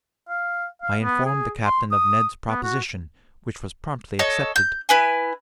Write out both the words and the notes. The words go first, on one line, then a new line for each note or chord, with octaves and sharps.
I informed the captain of Ned's proposition, which was promptly accepted.
F5
F5
B3
G#4
C6
D#6
B3
F#4
A4 C#5 D#5
G6
E4 B4 G#5